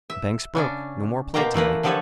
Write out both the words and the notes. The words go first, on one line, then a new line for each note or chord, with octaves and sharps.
The bank's broke; no more play to-night.
E5
C#3 C#4 D4
B2 A#3 F4 G4 G5 A#5
E3 A3 A#3 B4
D3 F3 G4 A4 B4 C#5